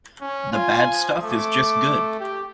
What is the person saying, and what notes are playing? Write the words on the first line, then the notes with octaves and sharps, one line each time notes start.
The bad stuff is just good.
C#4
F4 G#5
F3
A3 D6
G4